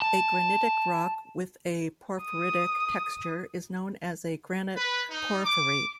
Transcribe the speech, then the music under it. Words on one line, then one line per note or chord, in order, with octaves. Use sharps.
A granitic rock with a porphyritic texture is known as a granite porphyry.
A5
D#6
B4
D#4
D6